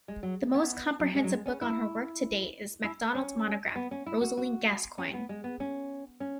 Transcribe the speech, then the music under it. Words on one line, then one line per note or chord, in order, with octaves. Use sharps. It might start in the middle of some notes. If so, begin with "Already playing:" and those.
The most comprehensive book on her work to date is MacDonald's monograph "Rosalie Gascoigne".
G#3
F#3
B3
F#3
G#3
F#3
G#3
C#4
E4
E4
C#4
B3
C#4
E4
F#4
F#4
C#4
B3
G#3
B3
C#4
C#4